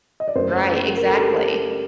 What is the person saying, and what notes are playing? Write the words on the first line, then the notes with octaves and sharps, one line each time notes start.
Right, exactly.
D#5
D5
F#1 F#2 F#3 A3 C5
A#4
A4
G4